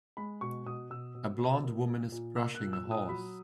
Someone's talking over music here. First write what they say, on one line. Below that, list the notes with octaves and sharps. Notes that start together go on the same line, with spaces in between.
A blond woman is brushing a horse.
G#3 B5
B2 C#6
B2 D#6
B2 E6
B2
B2
A#3
A#2
A#2
A#3 E6
F#6
A#2
E6
A#2
D#6
F#3 B5